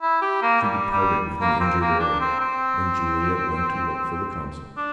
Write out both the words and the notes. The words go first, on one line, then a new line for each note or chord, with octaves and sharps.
She departed with an injured air, and Juliet went to look for the consul.
E4
G4
A#3
G3
G3
A#3
C4
A#3
D4
C4
C4
D4